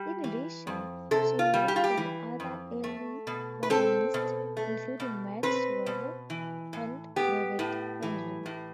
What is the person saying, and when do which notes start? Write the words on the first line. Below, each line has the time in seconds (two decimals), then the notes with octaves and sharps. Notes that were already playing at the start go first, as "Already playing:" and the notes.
In addition, she learned from other early modernists including Max Weber and Robert Henri.
Already playing: G3
0.24 E3
0.67 F2
1.11 C3 A4
1.39 F4
1.54 G3
1.68 G4
1.76 F4
1.84 G4
1.97 E3
2.40 F2
2.84 A3
3.27 B2
3.63 B4
3.70 C4 A4
4.14 B2
4.57 A3
5.00 B2
5.43 C4 B4
5.86 B2
6.30 E3
6.73 A2
7.16 B3 G4
7.59 A2
8.03 E3
8.46 A2